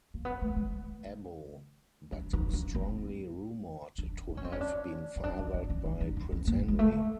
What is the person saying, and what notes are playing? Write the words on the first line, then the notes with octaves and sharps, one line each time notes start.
Abbo, but strongly rumored to have been fathered by Prince Henry.
A#3
B3
A3
G#3
D4
D#4
D4
C4
D4
D4
C#4
C4
C#4
D4
C#4
D4
D#4
D4
C#4
D4
D#4
D4
C#4
A#3
G#3
A3